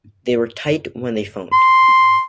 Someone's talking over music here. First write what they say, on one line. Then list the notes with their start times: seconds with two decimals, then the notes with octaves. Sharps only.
They were tight when they phoned.
1.53 C6